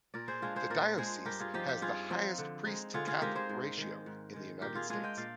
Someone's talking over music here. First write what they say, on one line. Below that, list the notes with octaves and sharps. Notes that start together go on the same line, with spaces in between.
The diocese has the highest priest-to-Catholic ratio in the United States.
A#2 A#4 D5
G#4 C5
G#3 D4 F4 G#4
G#4 C5
A#2 A#4 D5
G#3 D4 G#4 C5
G2 G4 A#4
F4 G#4
F3 C4 D#4 G4
G4
G2 F4 G#4
F3 C4 D#4
D3
G#3 C4 D#4
D3 F4 G#4
F4 G#4
G#3 C4 D#4 G4 A#4
G#4 C5
G#2
D#3 G#3
G#2
D#3 G#3
A#2 G4 A#4
F4 G#4
G#3 D4 F4 G#4
D#5 G5
A#2 D5 F5